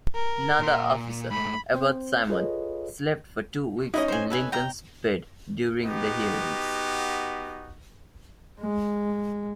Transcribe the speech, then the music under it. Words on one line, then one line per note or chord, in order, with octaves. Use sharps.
Another officer, Abbott Simon, slept for two weeks in Lincoln's bed during the hearings.
A#4
A#2 C6
G#2 A3 B5
C4 C5
F4 G#4 A4 B4 C#5 D#5
C#4 D#4 E4 B4 D#5
C5 G#5
A4 B4 G#5
G5 A#5
B3 D#4 F#4 G4
G#3